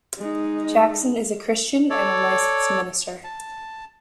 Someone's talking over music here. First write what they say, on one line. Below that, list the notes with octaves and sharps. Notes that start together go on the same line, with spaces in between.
Jackson is a Christian and a licensed minister.
G#3 D#4
A4 C#5 D5
A5